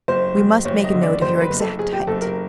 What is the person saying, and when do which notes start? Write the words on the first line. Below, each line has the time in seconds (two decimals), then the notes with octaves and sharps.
"We must make a note of your exact height."
0.08 F#1 C5
0.36 F#1
0.65 F#1 C#5
0.84 D#5
0.94 D3
1.03 D5
1.21 F#1 C5
1.41 B4
1.51 F#1
1.60 A4
1.79 F#1 G#4
1.92 G4
2.07 F#1 A4
2.21 A#4